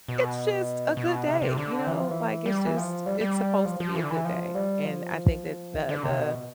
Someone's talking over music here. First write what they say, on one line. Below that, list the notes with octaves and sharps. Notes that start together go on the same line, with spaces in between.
It's just a good day, you know, like, it's just it's supposed to be a good day, and I think that the the
B2
B2
C3
C3
D3
E3
F3
E3
G3
E3
F3
G3
G3
F3
F3
E3
D3
E3
F3
G3
F3
E3
D3
C3
B2